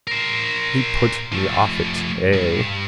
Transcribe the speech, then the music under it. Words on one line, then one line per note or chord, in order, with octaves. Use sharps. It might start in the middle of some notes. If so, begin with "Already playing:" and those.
He put me off it. Ay.
A#4 C5
F3 A3
B1 G2